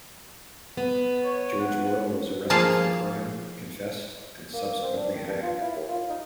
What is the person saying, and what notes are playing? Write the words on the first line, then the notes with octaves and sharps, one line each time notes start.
George Worrall was arrested for the crime, confessed, and subsequently hanged.
B3
C#5
F#5
F3 A#3 G#4 F5 A5
A#3
C4
D4
D#3
G2
F4
E4
D#2
F4
D#4